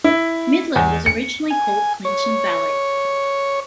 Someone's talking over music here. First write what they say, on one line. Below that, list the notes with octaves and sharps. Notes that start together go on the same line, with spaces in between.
Midland was originally called Clinton Valley.
E4
E2
C#7
G#5
C#5